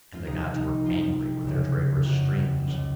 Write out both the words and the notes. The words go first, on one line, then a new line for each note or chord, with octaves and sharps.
And the gods were angry with Their traitorous streams.
F4
C2 C3 F3 D#4
D#4
C2 C3 F3 F4
F#1 F2 C#3 F#3
F#1 F2 C#3 F#3 F#4
C#2 C#3 F3